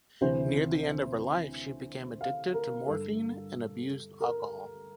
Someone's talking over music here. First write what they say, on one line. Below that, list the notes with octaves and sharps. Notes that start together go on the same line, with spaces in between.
Near the end of her life she became addicted to morphine and abused alcohol.
D2 C3 E3 C5
F5
A#4
G1 G2 D3 A4
A#4